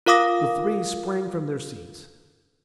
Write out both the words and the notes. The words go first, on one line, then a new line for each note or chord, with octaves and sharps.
The three sprang from their seats.
F4 A#4 F5 D6 D#6 A#6